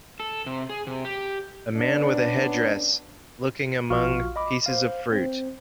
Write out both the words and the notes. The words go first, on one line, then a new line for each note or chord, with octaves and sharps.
A man with a headdress looking among pieces of fruit.
A4
C3
G#4
C3
G4
B3 C#4 D4
A#1 F4 F#4 F5 C#6 F6
D#5 B5 D6
C5 F5
C4 C5